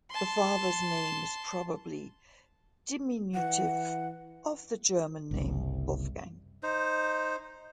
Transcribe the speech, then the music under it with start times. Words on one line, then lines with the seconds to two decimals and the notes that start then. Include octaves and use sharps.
The father's name is probably diminutive of the German name Wolfgang.
0.11 A5 C6
3.34 E3 F#5
5.31 F#1 C2
6.63 D#4 C5